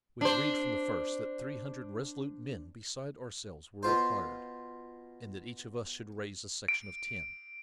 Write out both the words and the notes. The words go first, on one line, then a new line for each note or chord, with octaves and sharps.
We agreed from the first that three hundred resolute men besides ourselves were required, and that each of us should raise a section of ten.
D4 C5
B2 F4 C5
D7